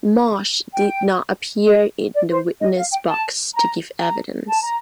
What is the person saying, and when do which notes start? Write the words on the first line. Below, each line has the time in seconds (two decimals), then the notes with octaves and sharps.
Marsh did not appear in the witness box to give evidence.
0.73 G5
1.66 D#5
2.13 D5
2.29 C5
2.60 D#5
2.76 F5
2.91 G5
3.06 A5
3.54 A#5
4.00 A#5
4.46 A5
4.61 A#5